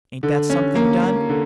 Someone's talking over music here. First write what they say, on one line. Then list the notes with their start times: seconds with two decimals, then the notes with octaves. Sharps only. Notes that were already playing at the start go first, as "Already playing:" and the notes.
Ain't that something done?
0.23 D3
0.50 C#4
0.75 A#3
1.02 A#3
1.29 D3